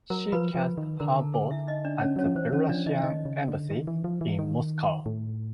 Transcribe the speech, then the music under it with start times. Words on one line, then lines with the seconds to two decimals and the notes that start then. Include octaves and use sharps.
She cast her vote at the Belarusian embassy in Moscow.
0.10 F#3 A#4 A#5
0.32 F3 B4 B5
0.55 F3
0.78 D#3
1.00 D3 A#4 A#5
1.17 A4 A5
1.34 G#4 G#5
1.51 E4 E5
1.67 D#4 D#5
1.85 D4 D5
2.01 C#4 C#5
2.16 F#3 C#4 C#5
2.25 F3
2.36 E3 C5
2.52 E3 C#4 C#5
2.69 F3 D4 D5
2.86 E3 D#4 D#5
3.03 D#3 D#4 D#5
3.25 C#3
3.48 D3
3.71 D#3
3.87 E3
4.04 F3
4.21 E3
4.39 D#3
5.06 A2